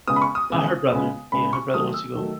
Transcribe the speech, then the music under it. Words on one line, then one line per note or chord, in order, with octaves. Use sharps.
Ah, her brother. Yeah, her brother wants to go.
C#3 G#3 B3 D#6
B5
C#6
D#6
C#3 G#3 B3
C#3 G#3 B3
C#3 G#3 B3 B5
C#6
D#3 F#3 A3 D#6
E6
D#3 F#3 A3